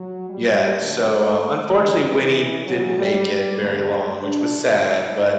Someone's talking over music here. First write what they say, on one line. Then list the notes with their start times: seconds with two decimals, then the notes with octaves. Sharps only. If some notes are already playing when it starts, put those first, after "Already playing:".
Yeah, so, um, unfortunately, Winnie didn't make it very long, which was sad, but,
Already playing: F#3
0.30 G3
0.76 F#2 D3 A3
1.71 G2 D3 E3
2.65 D2 C#3 E3 F#3
2.97 G3
3.28 G3
3.60 E2 D3 A3
4.23 D4
4.54 D2 D3 E4